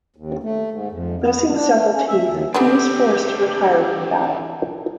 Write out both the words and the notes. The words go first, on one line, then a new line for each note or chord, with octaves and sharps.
Losing several teeth, he was forced to retire from battle.
D#2
A3
G#2
F2
B3
D4
A3
C#4
E5
D#2
A3 B3 C4 D4 G4 G#4